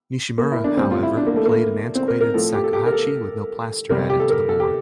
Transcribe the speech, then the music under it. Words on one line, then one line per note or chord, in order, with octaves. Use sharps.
Nishimura, however, played an antiquated shakuhachi with no plaster added to the bore.
A#3
E4
D4
A2 G3 C4
F4
E4
D4
A#3
A3
A#3
C4
A#4
A#4
A2 F3 A4
G4
A4
G4
A#4
A4
C3 G3 A#4
G4
A4
A#4
A4
G4